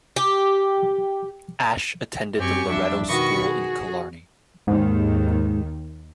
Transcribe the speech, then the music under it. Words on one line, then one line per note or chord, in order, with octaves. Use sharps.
Ashe attended the Loreto school in Killarney.
G4
F#2 C4 G4 G#5 C#6
F2 G3 D4 E5
B2 D#3 F#4 D#5 B5 C#6
F#4 G#4
D#2 G#2 D#3